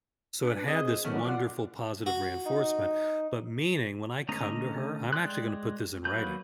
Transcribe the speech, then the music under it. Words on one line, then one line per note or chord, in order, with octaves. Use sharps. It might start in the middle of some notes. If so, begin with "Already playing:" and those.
So it had this wonderful positive reinforcement, but meaning, when I come to her, I'm actually gonna put this in writing,
D4 B4
C4 G#4 D#5
D#3 F#3 A3 B3 C#4 D5
F4 D5 F5 F#5
F#4
D#4
D3 A3 C#4 D#5 A#5
G#3 D5 G5 C6 F#6
F#3 A#3 B4 G6